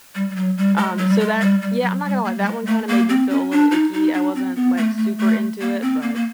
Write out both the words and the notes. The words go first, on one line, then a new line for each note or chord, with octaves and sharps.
Um, so that yeah, I'm not gonna lie, that one made me feel a little icky, I wasn't, like, super into it, but
G3
G3
F#3
G3
G#3
F#3
G3
G#3
G3
G3
F#3
G3
A#3
G3
G#3
A3
A#3
C4
C#4
D4
D#4
D#4
D4
C4
B3
A3
A3
A3
A#3
C4
A#3
A#3